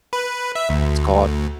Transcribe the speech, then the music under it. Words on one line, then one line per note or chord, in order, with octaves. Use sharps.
It's called,
B4
E5
D2